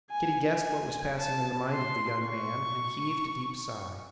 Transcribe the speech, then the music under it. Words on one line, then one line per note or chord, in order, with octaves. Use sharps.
Kitty guessed what was passing in the mind of the young man, and heaved a deep sigh.
G#5
G#5
A5
C6
C#6